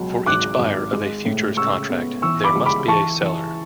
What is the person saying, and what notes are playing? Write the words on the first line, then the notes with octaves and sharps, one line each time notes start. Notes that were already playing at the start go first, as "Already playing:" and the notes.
For each buyer of a futures contract there must be a seller.
Already playing: C#2 B2 F#3
G#1 D6 F#6
G#1
G#3
A2
C#3 C#6 E6
B3
E3 C#6 E6
B5 D6
C#2
B5 D6
E3 A5 C#6
E3